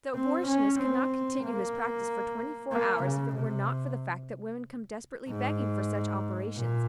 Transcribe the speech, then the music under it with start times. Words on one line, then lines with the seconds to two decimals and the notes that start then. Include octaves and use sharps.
The abortionist could not continue his practice for twenty-four hours if it were not for the fact that women come desperately begging for such operations.
0.15 C4
0.47 C#4
0.80 C4
1.44 A#3
2.72 A#3
3.03 C#3
3.36 C3
5.28 G#2
6.56 A#2